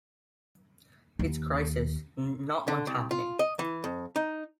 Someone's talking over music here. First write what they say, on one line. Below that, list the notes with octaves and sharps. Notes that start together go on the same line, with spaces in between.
Its crisis: not much happening.
D#2
D3
C2
F4
D#5
E3
F2
D#4